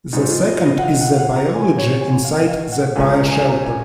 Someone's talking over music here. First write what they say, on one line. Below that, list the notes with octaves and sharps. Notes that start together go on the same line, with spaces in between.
The second is the biology inside the bioshelter.
G#2 F#3 C4 D#4
F4
D#5
F5
D#5
F#5
F5
F#5
F5
F#5
A#5
G#5
C#5
G#5
F5
F5
F#5
C#2 C#3 G#3 C#4 G#5
A#5
A#5
G#5
A#5
G#5